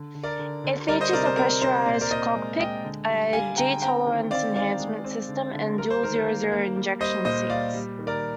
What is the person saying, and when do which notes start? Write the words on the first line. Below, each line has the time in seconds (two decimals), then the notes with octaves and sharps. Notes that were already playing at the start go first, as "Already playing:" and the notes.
It features a pressurized cockpit, a G-tolerance enhancement system and dual zero-zero ejection seats.
Already playing: D3
0.15 D3
0.23 A#4 D5
0.39 D3
0.64 D3
0.88 G3 A#4 D5
1.00 C5 D#5
1.13 C3 A#4 D5
1.25 C5
1.37 C4 A#4
1.61 C3 C5
1.86 A#2 D5
1.94 C5
2.01 A#4 D5
2.11 A#2 C5 D#5
2.35 G#3
2.60 G#3 D#5 G5
2.84 D3
3.09 G3
3.33 G3 F5 G#5
3.57 D3 G5 A#5
3.82 C4 G5 A#5
4.07 D#3
4.31 C4 D5 F5
4.56 D#3 D5 F5
4.80 G#3
5.04 C4
5.29 D3
5.54 D3
5.78 G3 A#4
5.90 C5
6.03 D#3 A#4
6.16 C5
6.27 A#3
6.52 A#3
6.76 G3
7.00 G3 C5 D#5
7.25 A#2 C5 D#5
7.50 G3 D5 F5
7.74 G3
7.99 D#3
8.07 A#4 D5